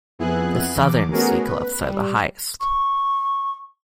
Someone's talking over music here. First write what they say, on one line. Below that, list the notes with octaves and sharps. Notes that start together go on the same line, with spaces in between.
The Southern sea-cliffs are the highest.
F2 B3 E4 G#4 G#5 F#6
E2 D6
A3 B3 C#4 F#4 G#4 A#4
B4
G3
C#6